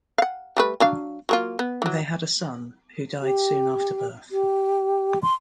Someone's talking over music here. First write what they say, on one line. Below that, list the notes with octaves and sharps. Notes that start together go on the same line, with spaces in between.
They had a son, who died soon after birth.
F5 F#5
G3 A3 B4
F#3 D4 F5
F#3 A#3 F4
B3
E3 F#3
G4
G4
C6